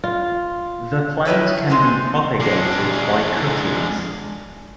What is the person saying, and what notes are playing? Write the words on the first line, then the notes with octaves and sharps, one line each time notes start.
The plant can be propagated by cuttings.
F4
A2 E4 B4 C#5 E5
C3 G#3 C4 D#4
G#3 D4